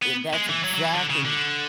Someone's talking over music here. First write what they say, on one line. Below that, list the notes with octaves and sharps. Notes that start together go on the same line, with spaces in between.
I that's exactly w
B3
G#3
E3
F#3
F#3
E3
D3
C#3
D3